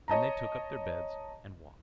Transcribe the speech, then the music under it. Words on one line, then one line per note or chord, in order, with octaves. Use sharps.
Then they took up their beds and walked.
C#5 D#5 A5 A#5